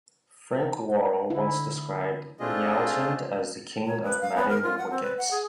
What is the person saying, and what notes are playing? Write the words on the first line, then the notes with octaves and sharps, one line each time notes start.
Frank Worrell once described Nyalchand as the 'king of matting wickets'.
D3 E4
A3 C4 D4 F4 G#4 D#5
C#5
B4
F5
B3
A#4
F4
F#5
C4
B4
F#5
G#4